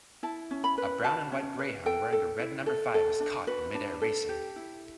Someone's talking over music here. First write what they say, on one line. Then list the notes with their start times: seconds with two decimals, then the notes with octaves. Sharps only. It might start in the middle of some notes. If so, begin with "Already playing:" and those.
A brown and white greyhound wearing a red number five is caught in midair racing.
0.23 E4 A5
0.51 C#4
0.64 B5
0.78 B4
1.04 F#4 A5
1.32 C#4
1.59 B4
1.86 A4 G5
2.12 A4
2.40 E4
2.66 A4
2.94 A4
3.20 D4
3.47 F#4 B4
3.74 D4
4.01 A4
4.29 G4
4.56 E4